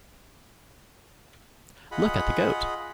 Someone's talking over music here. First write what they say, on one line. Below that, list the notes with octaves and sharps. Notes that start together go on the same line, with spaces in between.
Look at the goat!
F4 G#4 D#5 F#5 B5